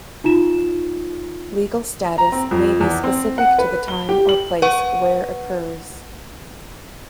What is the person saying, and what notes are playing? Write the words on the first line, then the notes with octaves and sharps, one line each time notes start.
Legal status may be specific to the time or place where occurs.
D#4 F4 E7
A#5
C4
F2
E2
C4
F#5
B4
G7
G4
F#7
B4 F#5 C#6